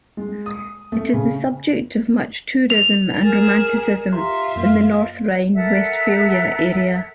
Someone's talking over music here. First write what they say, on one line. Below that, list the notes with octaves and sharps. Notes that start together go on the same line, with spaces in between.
It is the subject of much tourism and romanticism in the North Rhine-Westphalia area.
G#3
D#6
A3
C#3
F7
G#4 A#4 A6 E7
F4 G4 E5 A#5 C6
F#2 A#3 F5
A4 A#4 E5 F#5